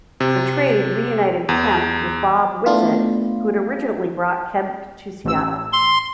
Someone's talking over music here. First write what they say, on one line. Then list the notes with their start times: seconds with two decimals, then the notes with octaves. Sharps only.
The trade reunited Kemp with Bob Whitsitt, who had originally brought Kemp to Seattle.
0.20 C3
1.49 E2
2.66 A3 B3 D4 E4 F4
5.25 A1 E6
5.73 C6